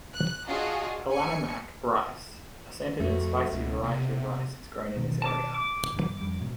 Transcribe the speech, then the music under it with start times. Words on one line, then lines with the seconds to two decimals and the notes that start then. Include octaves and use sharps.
Kalanamak rice, a scented and spicy variety of rice is grown in this area.
0.14 F#6
0.48 D4 F4 F#4 G#4 D#5
1.10 G#5 C#7
3.00 F2 A3 F#4
3.52 C#2 B2
3.83 C3
4.96 B2 D#3
5.22 A5 D6
5.54 D6
5.93 G#1 G2
6.21 F2 G3
6.41 G#2 B2 F#3